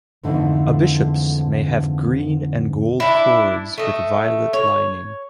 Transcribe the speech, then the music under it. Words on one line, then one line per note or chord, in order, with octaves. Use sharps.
A bishop's may have green and gold cords with violet lining.
F2 G#2 D3 E3 A3
D4 E4
A3 D#5
C#5